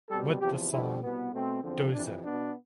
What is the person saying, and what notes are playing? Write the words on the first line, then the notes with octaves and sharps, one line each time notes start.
With the song "Dozer".
B2 G3 C4 A4
E2 C3 F3 G4
F2 D3 G3 C4 E4
C2 B2 B3
B2 A3 C4
E2 D3 F3 C4
F2 C3 E3 D4
B2 B3 D4